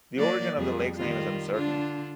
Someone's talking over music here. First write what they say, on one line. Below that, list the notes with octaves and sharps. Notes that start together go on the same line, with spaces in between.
The origin of the lake's name is uncertain.
F#3 A#3 D5
F2 G3 G#4
D#3 G3 F4
D3 D4 F4